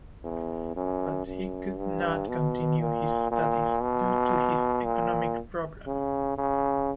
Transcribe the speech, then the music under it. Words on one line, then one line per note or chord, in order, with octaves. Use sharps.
But he could not continue his studies due to his economic problem.
E2
F#2
F#2
G2
B2
A#2
A#2
B2
A#2
C#3
C#3